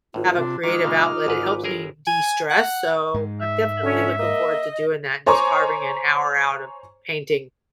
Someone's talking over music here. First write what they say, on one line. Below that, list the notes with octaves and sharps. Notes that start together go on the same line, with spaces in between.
have a creative outlet, it helps me de-stress, so, I'm definitely looking forward to doing that, just carving an hour out of painting,
G#1 A2 F4
C3 D4
D#3 G#3 D#4 F4 D6 F6
A#2 C#3 G#3
G#1 G#2 B4
G1 G#4 A#4
G#5
F#5
G#2 G#3
E5
D3 C#4
A#3 D#5
C5 C#5 G#5 A#5 C#6 D6